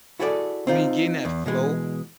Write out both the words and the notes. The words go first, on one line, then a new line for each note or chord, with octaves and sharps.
when you're getting that flow
E4 F#4 G#4 A4 C#5 D5
C4 D#4 F4
E2
B2 E3 G#3